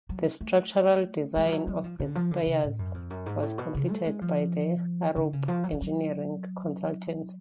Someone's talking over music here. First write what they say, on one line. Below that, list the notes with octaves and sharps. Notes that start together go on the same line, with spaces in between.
The structural design of the spires was completed by the Arup engineering consultancy.
F#3
A3
G#3
F3
F#3
F#3
F3
D3
F3
D3
C#3
A2
F#2
F2
F#2
G#2
A2
B2
C#3
A3
G#3
F3
D3
C#3
F3
F#3
F3
F#3